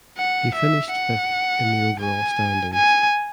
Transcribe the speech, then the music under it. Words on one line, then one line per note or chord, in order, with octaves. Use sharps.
He finished fifth in the overall standings.
F#5
E5
F#5
G#5
G#5